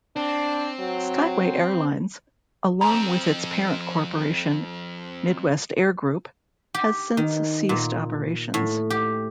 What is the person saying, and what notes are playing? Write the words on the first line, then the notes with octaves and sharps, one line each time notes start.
Skyway Airlines, along with its parent corporation, Midwest Air Group, has since ceased operations.
C4 D4
F#3
F2 C4 A#5
G4
D#3
A#2
A2
G4